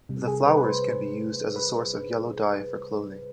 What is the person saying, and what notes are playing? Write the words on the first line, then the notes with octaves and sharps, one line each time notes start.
The flowers can be used as a source of yellow dye for clothing.
C3 G3
G#4
B4
B4
C5
B4